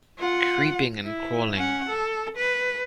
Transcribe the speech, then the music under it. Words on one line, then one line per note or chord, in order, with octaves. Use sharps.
Creeping and crawling.
F4 F#5
E4
C#4 F#5
A4
B4